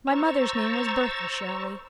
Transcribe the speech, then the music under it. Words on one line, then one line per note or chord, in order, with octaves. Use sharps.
My mother's name was Bertha Shirley.
C5 A#5 C#6 E6 A6